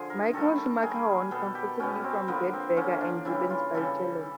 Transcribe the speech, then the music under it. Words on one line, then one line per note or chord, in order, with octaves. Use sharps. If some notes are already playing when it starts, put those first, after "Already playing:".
Michael Schumacher won comfortably from Gerhard Berger and Rubens Barrichello.
Already playing: D3 F3 G#4
A#4
D#3 G3 A#3 A4
A4
D#3 G3 A#3 G#4
B2 G3 B3 A4
G4
B2 G3 B3 C#4
C4
D3 F3 A#3 B3
C4
D3 F3 A#3 C#4
D4
C#3 E3 G3 E4
F4
C#3 E3 G3 A4